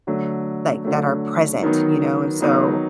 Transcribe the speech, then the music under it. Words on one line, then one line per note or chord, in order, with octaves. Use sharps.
like, that are present, you know, and so,
D3 F#3 A3
D3 F#3 A3
D#3 F#3 B3 D#4
D#3 F#3 B3 D#4